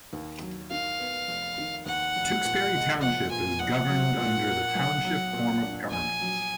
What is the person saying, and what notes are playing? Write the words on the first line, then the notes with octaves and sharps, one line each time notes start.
Tewksbury Township is governed under the Township form of government.
D#2
F#3
D#3 F5
B3
F1
D#3
D#2 F#5
F1
A#2
G#3
F3 F#5
A#2 G#5
A#1 F#5
F#3
A#2
A#3
B1
F#3
A#2
D4
A#1 G#5
F#3